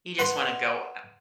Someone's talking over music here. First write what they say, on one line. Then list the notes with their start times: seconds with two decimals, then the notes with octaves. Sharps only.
You just wanna go, uh,
0.19 B4 F#5 B5 C6